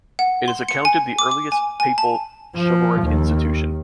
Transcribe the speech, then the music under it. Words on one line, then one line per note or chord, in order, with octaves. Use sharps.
It is accounted the earliest papal chivalric institution.
F#5
C6
C#7
G#5
D6
D6
G#5
G#5
A5
F3
D#2